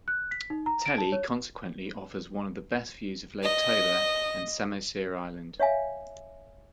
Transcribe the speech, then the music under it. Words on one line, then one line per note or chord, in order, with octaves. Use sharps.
Tele consequently offers one of the best views of Lake Toba and Samosir Island.
F#6
B6
D#4
A#5
D7
A5
C#5
D#5
C#5 E5 F5 G#5